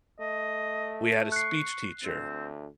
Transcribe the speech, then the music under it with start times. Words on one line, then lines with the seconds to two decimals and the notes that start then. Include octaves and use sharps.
we had a speech teacher,
0.20 A3 D#5
1.32 C#6 F#6 C7
2.04 D2 C4